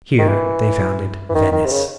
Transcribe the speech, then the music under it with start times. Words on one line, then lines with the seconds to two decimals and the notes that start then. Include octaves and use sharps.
Here they founded Venice.
0.19 D#3
0.29 E3
1.29 E3
1.35 D#3
1.52 D#3
1.65 C3
1.71 C#3